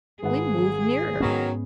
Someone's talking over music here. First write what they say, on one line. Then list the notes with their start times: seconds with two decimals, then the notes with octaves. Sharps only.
We moved nearer.
0.23 G#1 G#4 B4 F#5
1.20 G#2 D#3 F#3 B3 C#4